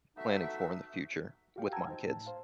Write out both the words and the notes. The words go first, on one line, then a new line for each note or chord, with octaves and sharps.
planning for in the future, with my kids.
A3 B3 D#4 F#4 E5
F#4 G4 F5 G5
F#5 G5 A5 A#5 E6 G#6
D#4 C5
A2 A5
C5 F5